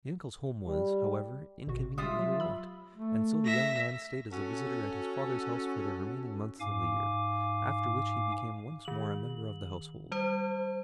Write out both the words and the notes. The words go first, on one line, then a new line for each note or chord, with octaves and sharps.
The uncle's home was, however, inconveniently remote, and so the young man stayed as a visitor at his father's house for the remaining months of the year, after which he became once more a member of the household.
G3
G#1 B2 F#4
G3 G#3 F4 G4 E5 D#6
F#3
B5 E6
A3
E5 A#6
C#4 F#4 A4
G#2 F5 G#5 D6
D#3 F#7
G3 C5